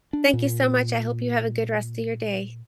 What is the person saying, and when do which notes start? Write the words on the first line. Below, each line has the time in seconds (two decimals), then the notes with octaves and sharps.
thank you so much, I hope you have a good rest of your day.
0.13 D4
0.33 A#2